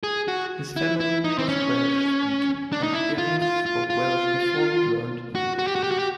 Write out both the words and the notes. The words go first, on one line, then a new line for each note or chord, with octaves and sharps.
His family was Welsh speaking, and Evans spoke Welsh before he learned English.
G#4
F#4
E4
E4
D#4
C4
C#4
D4
D#4
E4
F4
F4
F4
F4
F#4
F#4
G4
F#4
G4
F#4
G4